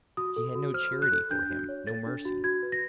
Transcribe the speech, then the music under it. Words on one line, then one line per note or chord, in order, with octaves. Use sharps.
She had no charity for him, no mercy.
F#4 D#6
A4
F#4
C5 F6
F#4
F#6
A4
D4 G6
F#4
C#5
A4 A6
D4
F#4
F#4 G#6
B4
A#6